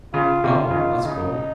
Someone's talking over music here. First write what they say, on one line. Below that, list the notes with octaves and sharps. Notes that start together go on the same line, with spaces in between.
Oh, that's cool.
C#3 F4
C3
F4
C#3
D#3
C#3 D#4